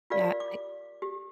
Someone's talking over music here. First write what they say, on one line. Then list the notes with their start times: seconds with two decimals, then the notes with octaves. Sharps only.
Yeah. I
0.10 F4 G4 A#4 D5 F5
0.40 D6
1.02 G4